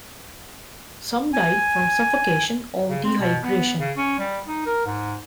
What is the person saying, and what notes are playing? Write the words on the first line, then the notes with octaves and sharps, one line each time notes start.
Some died from suffocation or dehydration.
G#5
C#3
C4
B2
B3
C#3
C#4
G3
D#4
A#4
G#2